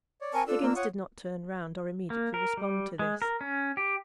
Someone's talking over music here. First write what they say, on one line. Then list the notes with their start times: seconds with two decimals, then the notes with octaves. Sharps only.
Higgins did not turn round, or immediately respond to this.
0.21 C#5 D5
0.33 C4 A#4 G#5 A5 C#6
0.47 D4 F4 A4 E6
0.62 A#3
0.76 C#5 F#5 C#6 D#6
2.10 A#3
2.34 A#4
2.57 G3
2.99 G#3
3.22 A#4
3.41 C#4
3.77 G4